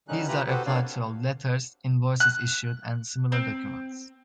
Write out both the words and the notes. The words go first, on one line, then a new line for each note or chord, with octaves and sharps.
These are applied to all letters, invoices issued, and similar documents.
D3 D#3 G3 C#4 D#4 F#6
E4 F4 G4 B4 A#5 B5
B3 F#4 G4 A4 B4 C5
A#3 C4 D4 C#5 D5 F5
F#6
C4